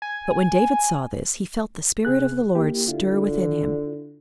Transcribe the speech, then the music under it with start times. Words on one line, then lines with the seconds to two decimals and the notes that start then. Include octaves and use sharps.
But when David saw this, he felt the spirit of the Lord stir within him.
0.02 G#5
2.05 C3 G#4 F#6
2.55 A#3 E4 G4
2.88 D3 E4 F4